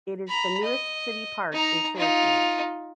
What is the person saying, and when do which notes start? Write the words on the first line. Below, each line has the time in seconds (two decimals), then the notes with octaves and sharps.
It is the newest city park in Syracuse.
0.28 A#5 B5
0.63 D#5
1.53 D#4 A#5
1.96 D#4 F4